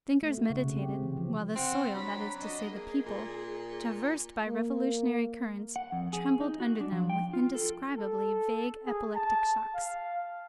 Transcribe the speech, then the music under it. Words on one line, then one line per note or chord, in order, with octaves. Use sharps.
Thinkers meditated, while the soil, that is to say, the people, traversed by revolutionary currents, trembled under them with indescribably vague epileptic shocks.
A3
F#4
C#3
C3
G4
C4
E3
F3
C4 F#5
F#3 D4 B5
D4 D#5
A#3 G#4
A#2
A#3
F#5
F2
G#4
D#4
F#4
D4
F3
G5
F4
A4
A4
G#4
A5
F5